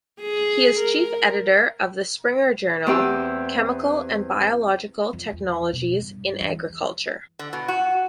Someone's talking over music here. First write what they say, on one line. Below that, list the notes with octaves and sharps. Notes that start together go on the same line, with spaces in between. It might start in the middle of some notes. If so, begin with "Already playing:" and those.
He is chief editor of the Springer journal "Chemical and Biological Technologies in Agriculture".
G#4
A#4
E2 C4 G4 E6
F2
E2
B2
G2
E2
D3
B2
F#4